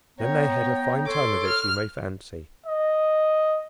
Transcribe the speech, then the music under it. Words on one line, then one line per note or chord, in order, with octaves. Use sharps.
Then they had a fine time of it, you may fancy.
B3 C#5 G5 A#5
A4 C#5 C6 D6
F6
D#5